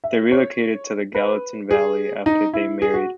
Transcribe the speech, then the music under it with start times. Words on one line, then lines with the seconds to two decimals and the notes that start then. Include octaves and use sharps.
They relocated to the Gallatin Valley after they married.
0.04 E5
0.32 C#5
1.15 B4
1.71 G#4
2.26 D#4
2.53 E4
2.82 G#4
2.94 F#4